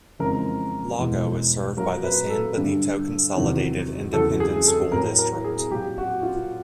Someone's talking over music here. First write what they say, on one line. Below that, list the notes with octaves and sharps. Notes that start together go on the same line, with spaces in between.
Lago is served by the San Benito Consolidated Independent School District.
F2 C#3 E3 G#3 A#4
E2 B2 G#3
A#2 F#3 A#4
B4
A4
G2 D3 G3
E2 C3 D#3 F#3
E2 C#3 F#3 A4
G#4
A4
A2 F#3 A#4
A#4
G#4
A#2 F#3 G4
F#4
F4